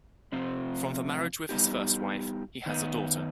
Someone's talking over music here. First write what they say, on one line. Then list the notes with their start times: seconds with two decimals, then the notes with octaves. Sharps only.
From the marriage with his first wife, he has a daughter.
0.32 C3 F3 C4 F4 C5
1.49 G3 B3 D#4 G4
2.66 D#3 B3 D#4